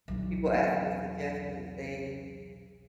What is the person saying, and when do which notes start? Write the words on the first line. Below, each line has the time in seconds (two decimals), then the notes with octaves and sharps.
people ask for suggestions, they
0.08 B1 E2